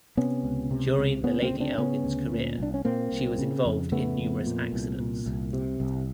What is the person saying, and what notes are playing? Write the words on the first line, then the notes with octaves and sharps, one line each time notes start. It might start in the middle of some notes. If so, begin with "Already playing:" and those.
During the "Lady Elgin's" career she was involved in numerous accidents.
C3 B3 C#4
C#2
C3
C#2
C#3 B3 C#4
A#3 C4
D2
C4 D4
C#3 B3 C#4
D2
A#2
C2 D4
C#4
A#2 A#3 C4
C2
C#3
F2
C#3 A3 B3
F2
A#2
C2
A#2
C2
C3
C2